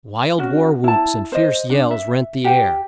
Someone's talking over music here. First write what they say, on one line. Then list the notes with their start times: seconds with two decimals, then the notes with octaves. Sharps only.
Wild war-whoops and fierce yells rent the air.
0.38 C#4 F#4
0.84 E4 A5
1.32 C5 D#5
1.70 D4
1.91 E5
2.45 G4 G5